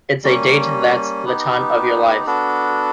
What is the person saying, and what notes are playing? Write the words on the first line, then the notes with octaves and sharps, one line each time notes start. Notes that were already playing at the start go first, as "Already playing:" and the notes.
It's a date that's the time of your life.
G3 A#3 C#4
B3 D#4 G4
B3 D4 F#4 A4